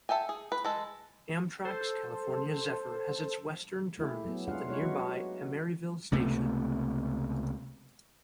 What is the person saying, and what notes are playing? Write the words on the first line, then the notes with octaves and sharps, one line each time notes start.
Amtrak's "California Zephyr" has its western terminus at the nearby Emeryville station.
A4 E5 G5 G#5
G#4
B4
G#3 A4
A4 C5
A3 E4 G4 G#4
F#3 B3
G#3 D4 F4 G#4 F5 F#5
G#3 D#4 E4 G4 B4 C#5
F#3 F#4
C#2 C3 A3 B3